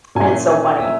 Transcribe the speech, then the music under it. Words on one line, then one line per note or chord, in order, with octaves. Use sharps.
And it's so funny.
A#2 A#3 C#4 E4 G#5
E5